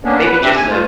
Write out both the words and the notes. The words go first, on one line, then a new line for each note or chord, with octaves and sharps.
maybe just a
A#3 B3 C#4 D4
B4
C4 D4 G4 E5
D#2 G#5
A3 F4